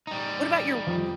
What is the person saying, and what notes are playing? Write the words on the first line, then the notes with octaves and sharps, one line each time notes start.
What about your
G3 D#4
F2